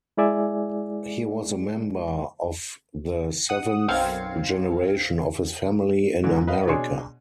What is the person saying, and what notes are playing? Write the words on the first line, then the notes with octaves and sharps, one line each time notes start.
He was a member of the seventh generation of his family in America.
G#3 E4 G#4 D5 E5 G#5
F#5 D#6
B1 F#2 C4 F5 G#6 C#7
G#2 D3 E3
B4 D#5 F5
B2 D4 G#4 C#5 G#5 C6